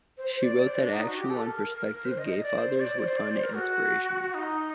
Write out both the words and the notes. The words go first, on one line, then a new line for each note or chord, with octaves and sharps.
She wrote that actual and prospective gay fathers would find it inspirational.
C5
C5
D5
D5
C5
D4
D#4
F#4
G4
A4
A#4
A#4
A#4
C5
D#5
D#5
D5
C5
C5
D5
C5
D5
C5
A#4
F#4
F#4
D#4